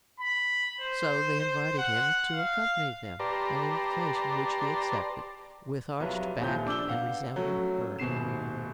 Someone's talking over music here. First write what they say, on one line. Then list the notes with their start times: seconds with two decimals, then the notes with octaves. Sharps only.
So they invited him to accompany them, an invitation which he accepted with arched back and resounding purr.
0.20 B5
0.80 C5
1.39 C5
1.78 F#5
2.31 F5
3.20 G4 B4 D5 A5 A#5 C6
6.00 C2 F#3 F4 B4
6.41 D#1 C2 F3 F4 G6
6.66 D4 D6 E6 G7
6.87 B3 F5 F#5
7.36 F#3 A3 C#4 F#4
7.99 D#1 G#1 B2 C7 E7